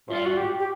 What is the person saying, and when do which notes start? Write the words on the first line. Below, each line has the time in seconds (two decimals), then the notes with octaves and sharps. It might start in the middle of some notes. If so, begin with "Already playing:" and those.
but, um
0.09 F4
0.26 F#4
0.37 G4
0.59 G4